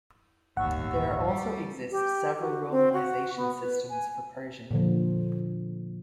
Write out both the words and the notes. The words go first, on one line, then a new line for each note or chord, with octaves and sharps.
There also exist several romanization systems for Persian.
D1 G1 D#2 F#5 C#6 E6
G3 G4
G4
F#4
C4
F#4
B3
B4
G#5
A#2 D3 F3